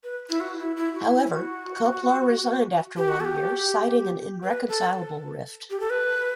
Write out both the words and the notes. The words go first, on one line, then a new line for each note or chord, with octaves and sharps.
However, Koplar resigned after one year, citing an irreconcilable rift.
B4
E4
F#4
E4
E4
F#4
E4
F#4
G4
F#4
A4
G4
B4
A4
G4
A4
B4